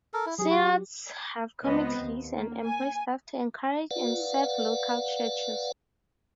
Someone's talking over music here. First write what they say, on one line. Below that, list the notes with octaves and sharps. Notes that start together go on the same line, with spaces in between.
Synods have committees and employ staff to encourage and serve local churches.
A4 A#4
E4
F#3 G4 G#4
F#4
C#2 B3 C4 D#5
D#2
A#3
G#5
B4 D5 F5 F#5